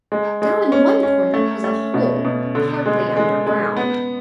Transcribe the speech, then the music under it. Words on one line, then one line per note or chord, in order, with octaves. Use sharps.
Down in one corner was a hole, partly underground.
G#3
G#3
C#4
C#4
A3
A3
B2
B2
D3
G#3
G#3
G#3
B3